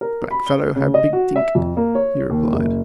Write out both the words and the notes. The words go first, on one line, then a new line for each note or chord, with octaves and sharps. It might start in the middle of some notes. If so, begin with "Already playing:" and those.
"Black fellow hab big tink," he replied.
A#4
B5
G7
C#3
D#5
F#4
E5
F2
A#3
C#5
D#2
F#1